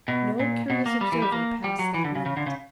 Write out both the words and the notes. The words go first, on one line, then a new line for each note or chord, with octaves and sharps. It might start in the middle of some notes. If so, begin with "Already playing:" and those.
No curious observer passed that limit.
B2
A#2
B2
A#3
G3
E3
G3
A#3
G3
F#3
E3
D3
C#3
C#3
D3
C#3